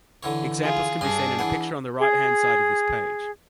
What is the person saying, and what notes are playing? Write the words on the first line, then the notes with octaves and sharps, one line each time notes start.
Examples can be seen in a picture on the right-hand side of this page.
D3 E3 C#5
F4 G#4
G2 D4 G#4 C6
E3 F#5
G#4